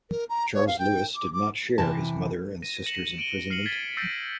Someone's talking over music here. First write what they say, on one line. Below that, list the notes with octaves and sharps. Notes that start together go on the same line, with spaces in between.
Charles Louis did not share his mother and sister's imprisonment.
A#4
A#5
C#5
F5
G5
D6
D6
C3 E3 A5
A#6 D#7
A#6 C#7 E7 F#7
D7 D#7 F#7 G7
F6 C7 C#7 F#7
G#6 A6 B6 C7 D#7 G7
E6 G6 A6 A#6 C7 D7